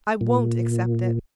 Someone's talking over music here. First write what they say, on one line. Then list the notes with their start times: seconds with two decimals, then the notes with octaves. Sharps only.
I won't accept it.
0.21 A#2